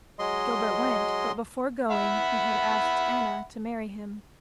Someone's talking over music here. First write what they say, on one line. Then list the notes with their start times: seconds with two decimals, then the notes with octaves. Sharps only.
Gilbert went, but before going he had asked Anna to marry him.
0.19 F#3 G#3 D#5 C6
1.91 E5 F#5 B5